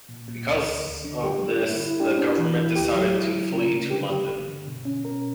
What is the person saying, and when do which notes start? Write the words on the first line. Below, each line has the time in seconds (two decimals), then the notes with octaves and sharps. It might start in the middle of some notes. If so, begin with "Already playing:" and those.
Because of this the government decided to flee to London.
0.09 A#2
0.28 A#2
0.47 D2
0.66 D2
0.86 D2
1.04 D3
1.23 G2 G4
1.43 G3
1.62 E4
1.81 E4
2.00 D4 G4
2.19 D4
2.38 E3
2.57 E4
2.76 D2 G4
2.95 F#3
3.14 E4
3.33 F#3
3.52 C#3 A#4
3.72 C#3
3.90 D3 G4
4.10 G2 G4
4.29 G1
4.48 D3
4.67 B2
4.85 C#4
5.05 B2 A#4